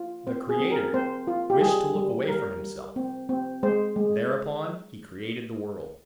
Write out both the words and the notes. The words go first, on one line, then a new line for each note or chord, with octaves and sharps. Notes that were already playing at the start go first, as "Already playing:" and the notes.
The creator wished to look away from himself,--thereupon he created the world.
Already playing: F4
C4 C5
G#4
C4
A#4
C4 C5
F4
G4
G3 G#4
G3
G3 A#4
G3
C4
C4
G#3 C5
G#3